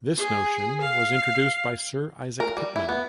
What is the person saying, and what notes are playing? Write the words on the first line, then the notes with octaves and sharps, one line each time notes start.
This notation was introduced by Sir Isaac Pitman.
G#4
F5
A#4
G3
E4
B3